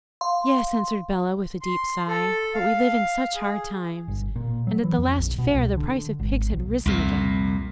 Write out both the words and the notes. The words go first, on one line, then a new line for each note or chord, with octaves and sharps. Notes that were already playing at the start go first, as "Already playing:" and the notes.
'Yes,' answered Bellah, with a deep sigh; 'but we live in such hard times, and at the last fair the price of pigs had risen again.'
F5 C6
C6
A4
F5
G#4
G1
A#2
F#3
E3
F2
A#1
B2
C2
D3
G#1
B1
C2 F2 A#2